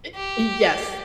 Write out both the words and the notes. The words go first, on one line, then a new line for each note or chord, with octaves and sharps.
Eh y yes.
G4